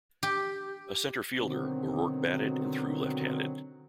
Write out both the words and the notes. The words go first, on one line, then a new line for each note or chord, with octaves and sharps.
A center fielder, O'Rourke batted and threw left-handed.
G4
B2 D3 D#3 F#3 C4